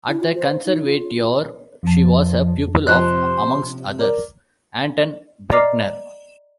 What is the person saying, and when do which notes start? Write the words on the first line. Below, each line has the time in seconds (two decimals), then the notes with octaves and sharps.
At the Conservatoire she was a pupil of, amongst others, Anton Bruckner.
0.08 E4
0.20 F4
0.36 C5
0.65 D#4
0.85 F4
1.83 F2 F3 A5
2.87 C3 F3 C5 F#6
3.99 A#4 D5
5.52 D5 D#5 A#5 D6 F6 C7